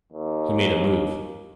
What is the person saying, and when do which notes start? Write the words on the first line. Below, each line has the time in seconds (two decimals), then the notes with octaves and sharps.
He made a move.
0.12 D#2